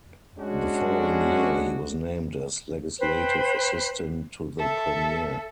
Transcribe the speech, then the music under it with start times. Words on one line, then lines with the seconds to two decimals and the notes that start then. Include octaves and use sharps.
The following year, he was named as Legislative Assistant to the Premier.
0.39 G#3 C#4 D4 F#4
3.00 B4 C5 G5
4.59 A4 E5